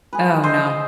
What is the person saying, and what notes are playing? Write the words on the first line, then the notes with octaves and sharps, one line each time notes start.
Oh, no.
G#4 B4
C5 D#5 E5